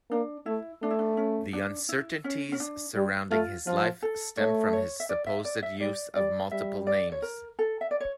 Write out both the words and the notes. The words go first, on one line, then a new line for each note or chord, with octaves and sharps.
The uncertainties surrounding his life stem from his supposed use of multiple names.
A#3 D4
A3 E4
A3 D4
E4
D4
C#4
D4
E4
C#4
C#4
D4
G3
A3 F4
F3 F4
A4
A3 C#5
C#5
E5
D5
E5
D5
E5
G3 D5
G3 D5
G3 E5
D5
C#5
A#4
A4
E5
D5
C#5